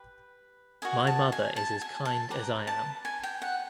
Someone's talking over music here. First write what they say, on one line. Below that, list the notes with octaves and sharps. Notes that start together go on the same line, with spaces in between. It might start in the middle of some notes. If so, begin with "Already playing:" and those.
My mother is as kind as I am.
Already playing: G4 B4
F#4 A#4 D#5 G#5
A5
G#5
A5
G#5
A5
G4 B4 D5 A#5
A5
G#5
G5
F#5